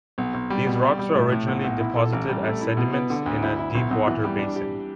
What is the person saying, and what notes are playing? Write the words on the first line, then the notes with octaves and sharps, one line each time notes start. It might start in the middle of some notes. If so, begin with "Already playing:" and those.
These rocks were originally deposited as sediments in a deep water basin.
B1
B1
G3
B2
G3
G3
A2
A2
B1
B1
E4
A4
A1
G3
A3
E4
B2
B3
D3
D2
E4
E4
B1
B1
E3
G3
D4
G4